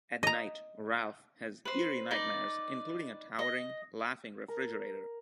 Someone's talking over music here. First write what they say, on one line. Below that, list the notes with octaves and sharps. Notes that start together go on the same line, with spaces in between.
At night, Ralph has eerie nightmares, including a towering, laughing refrigerator.
D#5 A#5
B4 C5
D#4 B4 D5
D#5
A#4